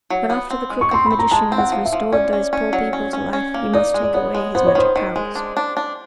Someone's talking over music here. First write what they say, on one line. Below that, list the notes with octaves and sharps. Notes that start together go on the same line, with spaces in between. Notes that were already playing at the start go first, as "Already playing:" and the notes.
"But after the Crooked Magician has restored those poor people to life you must take away his magic powers."
F#3
B3
C4
G#3
C#6
C4 C6
C4 B5
A#5
G#3 A5
C4
F#5
F3
E5
F3
C#4 D5
C#4
C#4
F#3
C#4
C#4
C#4
A#3
D#4 D5
G#3
D5
B3 C#5
G#3
B3 C5
C#5
D#3 C5
D#3
G#3
D4
D4
D4